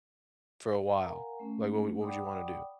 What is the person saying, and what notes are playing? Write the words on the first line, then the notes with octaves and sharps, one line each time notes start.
for a while. Like, what what would you wanna do?
A#4 F5 F#5 G#5 A#5
A3 C#4
D5 F#5 G5 B5 D6 D#6